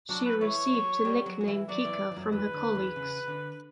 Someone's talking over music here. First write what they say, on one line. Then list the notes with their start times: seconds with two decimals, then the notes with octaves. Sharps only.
She received her nickname "Kika" from her colleagues.
0.09 F#3 D4 F#4
0.25 B4
0.41 E3 E4 C#5
0.74 F#3 F#4
1.05 G3 G4
1.26 F#3 F#4
1.41 F#4
1.48 E3 E4
1.69 F#3 F#4 D5
1.85 E3 E4
2.11 E3
2.17 F#2 F#3
2.32 E2 E3 B4
2.53 D3
2.75 E2 E3
2.96 C#3
3.28 D3